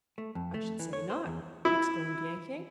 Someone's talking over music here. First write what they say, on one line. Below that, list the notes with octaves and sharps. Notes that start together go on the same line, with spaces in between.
"I should say not!" exclaimed Yank-Yank.
A3
F2
A3
E3
C#5
C5
E2
E4